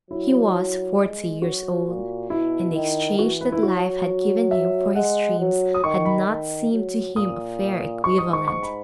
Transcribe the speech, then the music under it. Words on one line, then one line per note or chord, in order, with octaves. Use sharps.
He was forty years old, and the exchange that life had given him for his dreams had not seemed to him a fair equivalent.
F#3 E4
G#3
F#3 F#4
A#2
B2 E4
D#3
E3 F#4
B4
E4
F#3 F#4
E5
G#3 F#5
F#3
D#6
D#3 C#6
B5
D#3
F#3
A#2 D#6
G#2 C#6
D#6
C#6
C#6
B5